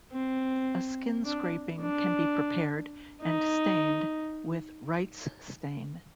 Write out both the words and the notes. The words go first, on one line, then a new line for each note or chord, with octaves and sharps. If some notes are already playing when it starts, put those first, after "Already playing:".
A skin scraping can be prepared, and stained with Wright's stain.
C4
D4
D4
D#4